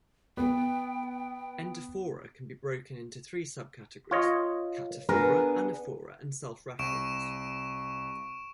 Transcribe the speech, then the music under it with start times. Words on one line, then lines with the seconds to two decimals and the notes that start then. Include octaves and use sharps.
Endophora can be broken into three subcategories: cataphora, anaphora and self-reference.
0.37 B3 G5
4.11 F4 C#5 D#5
5.09 B3 D4 G#4 A#4
6.79 C2 C#6 D7 E7